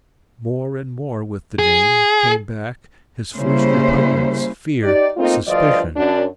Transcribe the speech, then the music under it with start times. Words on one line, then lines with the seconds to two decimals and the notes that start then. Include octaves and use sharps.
More and more, with the name, came back--his first repugnance, fear, suspicion.
1.59 G#4
3.36 C#3 G3 A#3 C#4 E4 C5
4.82 D#4 G4 D5
5.17 A3 A#3 C4 D#4 F4
5.47 D2 G2 F3 F4 D5 D#5
5.97 F#2 D4